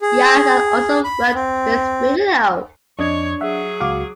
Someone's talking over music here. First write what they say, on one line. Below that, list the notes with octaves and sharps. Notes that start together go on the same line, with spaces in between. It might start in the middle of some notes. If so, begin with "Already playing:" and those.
Yass has also worked with video.
G#4
B5
C4
F2 D4 C#5 D#5 G#6
F#3 G#4 E5 F#5
C#2 F#4 F5 D6